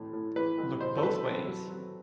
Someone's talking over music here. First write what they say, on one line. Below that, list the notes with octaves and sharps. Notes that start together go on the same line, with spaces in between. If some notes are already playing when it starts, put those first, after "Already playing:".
Look both ways.
Already playing: B1 A2 E3
A2
E3 B4
B1
B2 C5
A4
F#3 B4
C4 A4
F#3
F#3